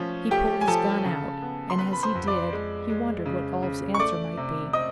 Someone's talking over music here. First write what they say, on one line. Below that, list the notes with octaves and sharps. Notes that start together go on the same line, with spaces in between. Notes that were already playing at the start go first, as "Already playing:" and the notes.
He pulled his gun out, and as he did he wondered what Ulv's answer might be.
Already playing: F3 A3 C#4
A3 G4 G5
G#5
F3 A4 A5
C#3
B3
C6
B3 B4 B5
B5
C5 C6
F2
D5 D6
G#3
G#3
C#3
C#3
C#6
A3 D5 D6
C3
C4 D#5 D#6